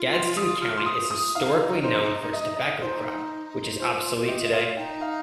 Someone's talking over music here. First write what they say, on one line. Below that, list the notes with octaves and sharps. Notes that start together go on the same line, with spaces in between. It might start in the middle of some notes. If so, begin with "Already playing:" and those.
Gadsden County is historically known for its tobacco crop which is obsolete today.
Already playing: F4
C6
D#6
F6
C6
D#6
D#6
D#4 F4 F5
C5
D#5
D#5
D#4 F4 C5
F4 C5
F4
G4 D#5
F4
D#5
F4 F5
D#4 G5
F5